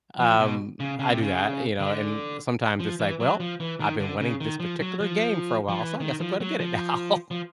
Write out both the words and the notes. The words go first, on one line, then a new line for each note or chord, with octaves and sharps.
Um. I do that, you know, and sometimes it's like, "Well, I've been wanting this particular game for a while so I guess I'm gonna get it now."
F3
B2
C#3
C#3
C3
C#3
D3
F3
E3
F#3
F3
E3
D#3
D3
C#3
D#3
F3
F#3
F3
F3
E3
D#3
F3
F#3
F3
F3